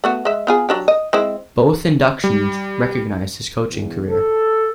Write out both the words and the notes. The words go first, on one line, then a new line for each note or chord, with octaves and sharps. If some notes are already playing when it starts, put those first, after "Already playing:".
Both inductions recognized his coaching career.
A3 B3 F#4
G#3 E5
B3 F4 G#4
F#3 D4 G4
D#5
G#3 C4 E4
G3
E2
A4